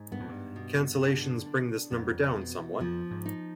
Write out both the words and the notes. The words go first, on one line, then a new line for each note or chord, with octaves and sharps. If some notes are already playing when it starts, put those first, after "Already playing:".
Cancellations bring this number down somewhat.
Already playing: G#2
G2 B3
F2
G2
B2
D3
D4
F2 B3
B2
F2 F3
G#2
D#4